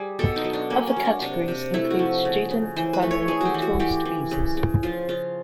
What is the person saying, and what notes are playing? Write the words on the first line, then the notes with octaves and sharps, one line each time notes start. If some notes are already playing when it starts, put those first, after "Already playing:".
Other categories include student, family and tourist visas.
Already playing: G3 G#4
B2 A4
D#4
F#3
D4
A#3 C#4
C#4
F#3
D4
C3 D4
C3
A3 E4
F#4
F3
C#3
C#3
E3 C5
B4
A3
C#5
A3 G#4
F#4 G4
E3
F#4
E3 G4
E3
C#3
C#3
F3 F4
C#3 F4